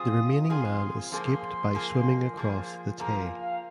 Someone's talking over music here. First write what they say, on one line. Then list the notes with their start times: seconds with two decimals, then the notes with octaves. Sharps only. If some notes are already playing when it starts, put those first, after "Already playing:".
The remaining man escaped by swimming across the Tay.
Already playing: F3 C4 F4 G#4 D#6
0.49 F3 C4 F4 G#4 C6
1.12 F3 A#3 G#4 C6
1.75 F3 A#3 G#4
2.37 F3 A#3 G#4
2.99 F3 A#3 G#4 A#5
3.41 F5